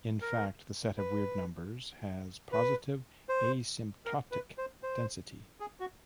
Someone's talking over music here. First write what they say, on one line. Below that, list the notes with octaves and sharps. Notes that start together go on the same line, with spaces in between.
In fact, the set of weird numbers has positive asymptotic density.
A#4
B4
B4
C5
A#4
B4
C5
C5
G#4
F#4